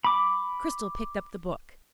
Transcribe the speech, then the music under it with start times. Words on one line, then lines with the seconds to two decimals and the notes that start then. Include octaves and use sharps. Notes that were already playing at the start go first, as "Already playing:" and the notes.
Cristel picked up the book.
0.05 B5 D6